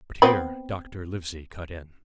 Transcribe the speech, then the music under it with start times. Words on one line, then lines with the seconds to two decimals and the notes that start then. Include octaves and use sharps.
But here Dr. Livesey cut in.
0.22 B3 C4 B5